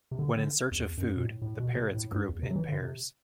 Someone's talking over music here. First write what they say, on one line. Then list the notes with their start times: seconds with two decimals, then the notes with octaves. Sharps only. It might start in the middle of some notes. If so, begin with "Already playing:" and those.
When in search of food, the parrots group in pairs.
0.11 C3
0.19 D3
0.36 D3
0.71 E2
0.97 F#2
1.16 B2
1.24 A2
1.42 A2
1.60 B2
1.77 C3
1.94 A2
2.12 G2
2.29 E2
2.43 C3
2.51 F#3
2.56 E3
2.69 D3
2.82 C3